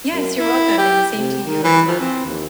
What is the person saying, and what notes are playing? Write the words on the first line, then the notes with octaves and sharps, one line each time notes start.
Yes. You're welcome, and same to you as well.
F#2
E4
G4
C3
D#3
E3
F3
C4
D#2